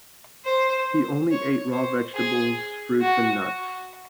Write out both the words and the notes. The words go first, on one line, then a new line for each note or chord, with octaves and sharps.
He only ate raw vegetables, fruits and nuts.
C5
C#5
C5
G#4
F#4